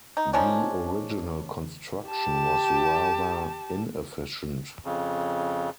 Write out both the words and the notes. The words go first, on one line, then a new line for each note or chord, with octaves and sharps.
The original construction was rather inefficient.
D#4
D#3 F3 C#4 D4
G4 A5
F2 C#3